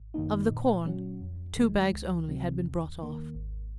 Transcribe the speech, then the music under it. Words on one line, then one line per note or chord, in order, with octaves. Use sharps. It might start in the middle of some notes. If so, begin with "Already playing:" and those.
Of the corn, two bags only had been brought off.
Already playing: G#1
F#2 D#3 A#3 D#4
A#2
F#3 C#4 F#4
F2
D#3 G#3
C#2
C3 F#3 C4
D#2
D#3 A#3
G#1